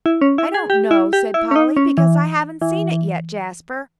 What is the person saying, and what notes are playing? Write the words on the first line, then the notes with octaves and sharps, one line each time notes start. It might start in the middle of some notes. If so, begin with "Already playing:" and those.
"I don't know," said Polly, "because I haven't seen it yet, Jasper."
E4
C#4
E4
G#4
G4
E4
G4
E4
C#4
D#4
C#4
E3
E3